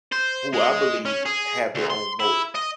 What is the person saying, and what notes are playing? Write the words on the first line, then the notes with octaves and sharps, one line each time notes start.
who I believe have their own motive.
C5
G#3
C#4
G#4
D2
C6
E4
D#5